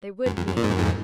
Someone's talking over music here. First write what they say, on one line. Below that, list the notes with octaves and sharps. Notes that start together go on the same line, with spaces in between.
They would me.
F#2
F2
F#2
A#2
G#2
F#2
F2 G#2